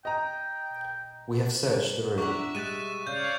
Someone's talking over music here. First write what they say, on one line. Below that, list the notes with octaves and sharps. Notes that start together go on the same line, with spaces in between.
We have searched the room.
D#5 G5 A#5
D4 A#4 E5 F#5 C#6
G3 G#3 F#6 A6 D#7
C#3 C#5 D5 F5 G6